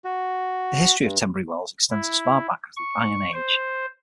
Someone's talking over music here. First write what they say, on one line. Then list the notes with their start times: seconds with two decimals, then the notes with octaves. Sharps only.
The history of Tenbury Wells extends as far back as the Iron Age.
0.05 F#4
1.03 G2
1.90 E4
2.76 C#6
3.33 C5